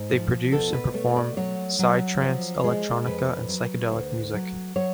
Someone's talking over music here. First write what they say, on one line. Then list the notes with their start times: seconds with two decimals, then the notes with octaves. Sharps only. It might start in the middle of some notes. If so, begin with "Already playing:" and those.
They produce and perform psytrance, electronica, and psychedelic music.
Already playing: G#2
0.10 F3
0.52 B2 A4
0.73 B4
0.94 A3 C#5
1.16 D5
1.37 F#3 C#5
1.79 F#3
2.22 F3
2.64 G#3
3.06 F2 B4
3.49 F#3
3.91 D2
4.34 F#3
4.76 F#3 C#5